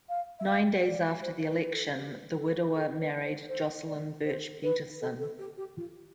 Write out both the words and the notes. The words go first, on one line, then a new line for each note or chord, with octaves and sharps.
Nine days after the election, the widower married Jocelyn Birch Peterson.
F5
E5
F5
D5
C5
B4
B4
A4
G4
A4
A4
B4
C5
C5
D5
C5
B4
A4
A4
G4
G4
F4